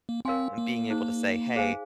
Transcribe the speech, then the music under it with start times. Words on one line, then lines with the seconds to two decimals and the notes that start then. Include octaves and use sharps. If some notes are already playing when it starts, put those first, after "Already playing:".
being able to say, "Hey,
0.09 A#3
0.25 C4 A#4 C#5 F5 G#5 C6
0.58 A#3
0.90 D#4 G#4 C5
1.56 G#4 C5 F5 G#5